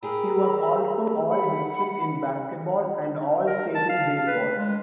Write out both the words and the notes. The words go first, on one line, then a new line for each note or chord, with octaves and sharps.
He was also All-District in basketball and All-State in baseball.
G4 G#4 A#4 A#5 B5 E6
F#5 B5
A#4
A5
F5
B4
G#3